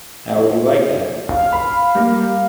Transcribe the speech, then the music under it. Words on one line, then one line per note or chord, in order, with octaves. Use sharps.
How would you like that?
F5
B5
G3 A#3